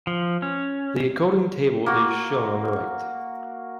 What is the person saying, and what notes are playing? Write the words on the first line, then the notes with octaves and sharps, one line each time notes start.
The encoding table is shown on the right.
F3
C#4
A#3 F#4